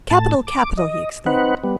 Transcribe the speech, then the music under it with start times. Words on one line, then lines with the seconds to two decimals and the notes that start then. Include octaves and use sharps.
"Capital! capital!" he exclaimed.
0.10 A2 A5
0.47 D6
0.77 D#5
1.26 C4 D#4 B4 F#5
1.64 G3 B3